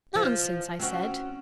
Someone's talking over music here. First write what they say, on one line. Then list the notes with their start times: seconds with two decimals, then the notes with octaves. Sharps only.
"Nonsense!" I said.
0.15 F3
0.80 C4 C#4 F#4